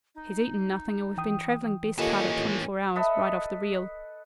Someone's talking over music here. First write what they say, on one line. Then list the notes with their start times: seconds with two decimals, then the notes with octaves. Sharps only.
He's eaten nothing, and we've been travelling best part of twenty-four hours right off the reel.'
0.15 D#4
1.17 E3 G5 D#6
1.98 D#2 E3 C#4 F4 G4 A4 B4 D#5
2.96 A4 B4 D#5 E5